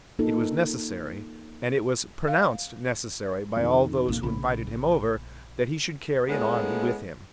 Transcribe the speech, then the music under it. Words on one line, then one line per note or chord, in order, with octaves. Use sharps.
It was necessary, and it was pronounced necessary by all those who invited him over, that he should carry an army with him.
A#3 D#4 F4 A4
F5
F2 D3 D#3
A1 B2 A#3
A#1 C#3 A#3 B5
G#3 A#3 B3 C#4 E4 A4